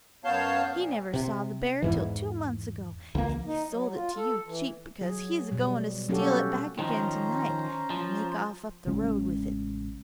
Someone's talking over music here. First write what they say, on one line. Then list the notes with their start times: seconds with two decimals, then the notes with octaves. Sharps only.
He never saw the bear till two months ago, and he sold it to you cheap because he's a-goin' to steal it back again to-night, and make off up the road with it.
0.24 F#2 B3 C#5 F5 A5 G6
0.73 A#2 F3
1.14 C3
1.82 E2 G#2 E3
3.15 C#2 A#3
3.45 D#4
3.71 F#3
3.93 F4
4.16 A4
4.46 E3
5.01 F#3 G#4
5.51 B2 G3
6.09 F#3 A#3 C#4 F#4 G4 A4
6.79 D#3 F3 C#4 C5 A#5
7.90 F3
8.86 A1 C#3 G#3 C#4